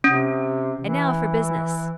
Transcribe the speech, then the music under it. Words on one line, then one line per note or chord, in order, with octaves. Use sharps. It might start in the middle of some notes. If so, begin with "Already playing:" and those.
And now for business.
C3 C#4
E3